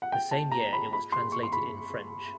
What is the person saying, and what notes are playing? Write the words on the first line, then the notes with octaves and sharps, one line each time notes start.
The same year it was translated in French.
F#5
G5
A5
A#5
B5
B5
C6
C#6
C6
B5